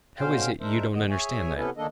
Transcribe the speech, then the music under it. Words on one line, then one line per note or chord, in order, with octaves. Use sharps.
How is it you don't understand that?
B2 D3 C#4 C5 F5 G5
G#3 D4 A#4 C5 E5
D3 D#3 B3 D#5
G#4 C#5 E5 G#5
C3 B3 C#4 E4 A4 B4
D2 D#3 A#3 D4 A4 D#5